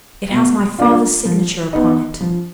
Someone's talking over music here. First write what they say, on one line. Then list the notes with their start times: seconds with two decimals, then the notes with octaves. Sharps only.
"It has my father's signature upon it."
0.31 B2
0.78 A#3 D4 F4
1.25 F3
1.73 B3 D#4
2.21 F3